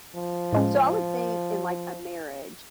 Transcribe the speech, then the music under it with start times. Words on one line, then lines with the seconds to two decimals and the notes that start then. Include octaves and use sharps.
So, I would think in like a marriage
0.16 F3
0.53 A2 G#3 C#4